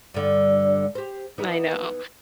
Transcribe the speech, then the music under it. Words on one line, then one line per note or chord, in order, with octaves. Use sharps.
I know.
G2 D3
G4 C5
E3 B3 D#4